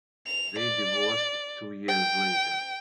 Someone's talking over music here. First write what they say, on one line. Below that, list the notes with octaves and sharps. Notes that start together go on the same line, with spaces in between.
They divorced two years later.
F7
D5
G5